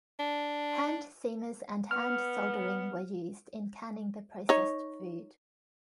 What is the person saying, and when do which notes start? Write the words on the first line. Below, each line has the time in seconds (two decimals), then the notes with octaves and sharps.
Hand seamers and hand soldering were used in canning the processed food.
0.19 D4
1.91 B3 F6
4.49 D#4 C#5